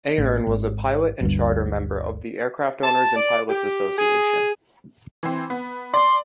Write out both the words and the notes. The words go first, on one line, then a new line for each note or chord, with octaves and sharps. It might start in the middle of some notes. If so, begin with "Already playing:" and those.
Aherne was a pilot and charter member of the Aircraft Owners and Pilots Association.
A1
G#1
G1 D2 G2
A5
D5
G4
G#4
E3 C4
B3
D5 C6